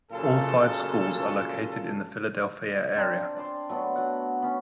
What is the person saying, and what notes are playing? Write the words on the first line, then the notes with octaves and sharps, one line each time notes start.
All five schools are located in the Philadelphia area.
F#2 A#2 C#3 F4 A4
C4 D4 A#5
D5 A5 C6
F#3 A3 B3 D4
F#3 F#5
B3 C#4